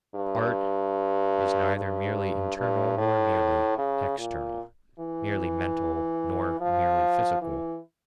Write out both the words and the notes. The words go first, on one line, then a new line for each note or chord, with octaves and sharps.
Art is neither merely internal nor merely external; merely mental nor merely physical.
G2
G2
G2
A2
C#3
A#2
E3
F3
E3